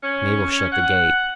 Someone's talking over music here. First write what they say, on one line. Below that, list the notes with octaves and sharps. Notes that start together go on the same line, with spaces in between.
Mabel shut the gate.
C#4
F#5